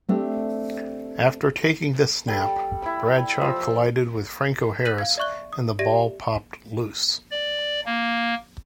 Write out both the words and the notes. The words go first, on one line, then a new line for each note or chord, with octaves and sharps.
After taking the snap, Bradshaw collided with Franco Harris and the ball popped loose.
A3 C4 D4 G4
G3 A4
E4 B5
F3 E6
F#6 G6 B6 D#7 F#7
F5 G#6
D5 E5 C#6 F#6 G7
D#6
G4 D5 E5 A#6 D#7
D5
A#3